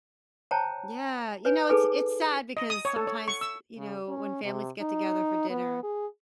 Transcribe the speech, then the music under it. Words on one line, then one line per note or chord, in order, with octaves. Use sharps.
Yeah, you know, it's it's sad because sometimes, you know, when families get together for dinner,
C5 C#5 G5 A5 A#5
B4 C#5 G#5
D#4 G#4 A4 B4 G#5 D6
D#5
D#6
C#5
A4
C#5
C#6
E6
C#3
C#4
C3
D#4
B3
G#4